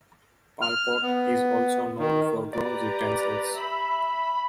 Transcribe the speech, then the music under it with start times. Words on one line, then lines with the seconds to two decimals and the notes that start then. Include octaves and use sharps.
Palkot is also known for bronze utensils.
0.62 F6
1.03 B3
1.99 D#3
2.53 G4 B4 D5 A#5
3.58 E5 B5